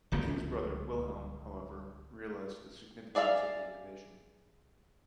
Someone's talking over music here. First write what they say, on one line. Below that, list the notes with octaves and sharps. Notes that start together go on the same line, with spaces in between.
The king's brother Wilhelm, however, realized the significance of the innovation.
D1 C#2 F3 A#3
G#4 D5 E5 F5